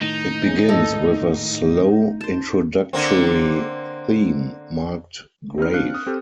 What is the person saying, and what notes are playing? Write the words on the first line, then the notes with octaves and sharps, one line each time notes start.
It begins with a slow introductory theme, marked "Grave".
A2 D#3 D#4
C#4 G#4
G#2 A4 D#5
C5 A5
D3 A#3 C4
C4 D#4 B4 F6
C4 D4 F5 F#6 C#7
D#6
C4 G4 A4